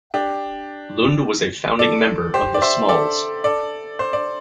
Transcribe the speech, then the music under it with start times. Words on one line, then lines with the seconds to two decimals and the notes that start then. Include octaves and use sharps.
Lund was a founding member of the smalls.
0.14 D4 G4
1.79 A4 D5
2.34 G4 C5
2.54 D5
2.62 C5 E5
2.89 A4 D5
3.44 A4 D5
3.99 C5
4.13 D5